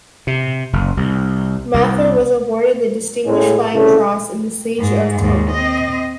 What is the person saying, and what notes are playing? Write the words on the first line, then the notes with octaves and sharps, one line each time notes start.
Mather was awarded the Distinguished Flying Cross in the Siege of Tobruk.
C3
F#1
C2
C2
A2 G#3
C2 C#3 A3
G#2
D#2 G#2
C4 D#5